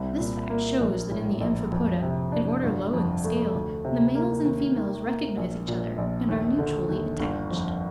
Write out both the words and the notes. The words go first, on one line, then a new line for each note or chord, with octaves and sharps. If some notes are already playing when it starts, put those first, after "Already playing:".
This fact shews that in the Amphipoda, an order low in the scale, the males and females recognise each other, and are mutually attached.
Already playing: C2 C4
A#2
A#3
A#1
A2
A#1
F2
C3
D4
G1
F2
A3
D2
C3
A#3
D#2
D#3
A#3
A#1
A#2
A#1
D#2
D3
D#2
G1
F2